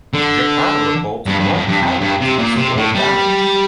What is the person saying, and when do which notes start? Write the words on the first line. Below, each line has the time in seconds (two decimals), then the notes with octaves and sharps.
Japan reported no casualties or damage.
0.14 D3
1.26 G2
1.40 G2
1.54 F2
1.68 G2
1.82 F2
2.01 G2
2.21 C3
2.39 A#2
2.57 C3
2.76 A2
2.95 G3